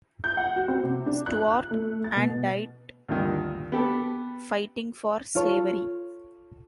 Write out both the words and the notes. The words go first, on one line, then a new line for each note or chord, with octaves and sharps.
Stuart, and died fighting for slavery.
G6
F#5
F#4
C4
C3
D4
F#6
F#6
A3
A6
B2
D2 G2 A#2 D#3
B3 G4 A4
F4 A4 C#5